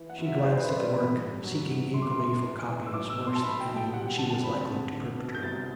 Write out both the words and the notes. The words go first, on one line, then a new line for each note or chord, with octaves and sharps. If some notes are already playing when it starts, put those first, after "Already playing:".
She glanced at the work, seeking eagerly for copies, worse than any she was likely to perpetrate.
Already playing: E3
F#5
F#2
E5
D5
F#2 C5
C5
B4
F#2
D5
A1 B5
G2
F#3
A1
F#2 C6
D6
C6
A3
E3
E3
E6
B1 D6
E6
B2
C6
A5
B1 B5
G5
B1
G5
G3 F#5
G5
D3 A5
A5
C4 B5
D3
A3
B2
G6
C2 A6